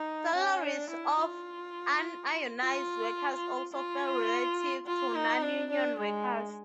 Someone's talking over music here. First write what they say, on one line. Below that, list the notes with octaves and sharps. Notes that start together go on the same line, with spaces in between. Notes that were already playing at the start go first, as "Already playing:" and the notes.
Salaries of unionized workers also fell relative to non-union workers.
Already playing: D#4
C#4
D4
E4
F4
F4
F4
F4
D#4
D4
D4
G#3